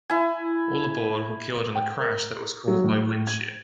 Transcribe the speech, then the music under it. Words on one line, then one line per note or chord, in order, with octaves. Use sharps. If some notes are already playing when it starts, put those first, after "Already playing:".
All aboard were killed in a crash that was caused by wind shear.
E4 G#5
G5
A#4
F#3
A2
G#6